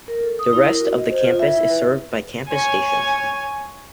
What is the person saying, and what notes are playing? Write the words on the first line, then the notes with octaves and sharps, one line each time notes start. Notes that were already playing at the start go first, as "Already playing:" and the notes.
The rest of the campus is served by Campus station.
A#4
A4
D#6
E4
A#4
F#4
D#5
C5
F4
E5
E4
B4
C#5 G#5